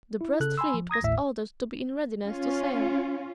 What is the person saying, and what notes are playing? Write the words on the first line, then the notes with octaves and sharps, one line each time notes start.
The Brest fleet was ordered to be in readiness to sail.
E4
C#3 A4 F#6
G#5 B5 C6 E6
F3
A#5 D#6 G#6 A#6
G#1 D#2 A2 E5
C#4 F4